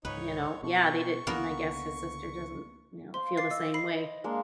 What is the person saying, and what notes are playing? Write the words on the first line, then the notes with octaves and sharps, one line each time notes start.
you know. Yeah, they didn't I guess his sister doesn't, you know, feel the same way.
C#2 G#2 D#4 B4 C#5
B2 C#6
C#2 D3 A#3 B3 A#4
C5 F5 C6
D6 A6 C7
D#5 E6
B5 C7
G#3 A#3 D4